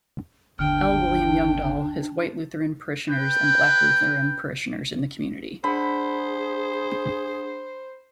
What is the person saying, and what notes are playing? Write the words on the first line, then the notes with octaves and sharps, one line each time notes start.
L. William Youngdahl, his white Lutheran parishioners and black Lutheran parishioners in the community.
G1 D#2 D3 D4 G5 F6
B4 G5
D4 G#4 C5 F#5 B5